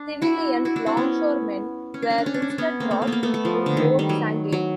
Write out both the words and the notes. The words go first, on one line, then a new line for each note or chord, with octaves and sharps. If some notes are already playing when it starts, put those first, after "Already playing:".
Civilian longshoremen were instead brought in to load "Sangay".
Already playing: D4
E4 F#4
E4 F#4
D4 E4
C4 D4
B3 C#4
C#4
D4
C#4
D4
C#4
D4
C#4
D4
B3 C#4
A#3 C4
A3 B3
A#3
B3
A#3
A3 B3
A3
F3
D3
D#3
G3
F#3
F#3